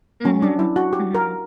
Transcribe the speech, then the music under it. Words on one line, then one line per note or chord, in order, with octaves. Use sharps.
Mhm. Mhm.
F#3 C#4
D4
E4
F#4
G4
A#4